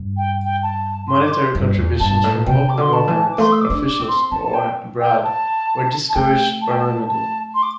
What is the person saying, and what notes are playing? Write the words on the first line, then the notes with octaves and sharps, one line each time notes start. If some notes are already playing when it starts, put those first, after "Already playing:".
Monetary contribution from local government officials or abroad were discouraged or limited.
Already playing: G2
G5
G5
A5
C6
D6
C6
G2
E2
G2 A5
A2
C3 G5
D6
D3 C6
A5
E3
D6
A3 C6
E6
D6
D4
D6
C4
C6
C4 A5
A5
G5
G5
A5
A5
A3 G5
A5
G5
A5
A5
C6
D6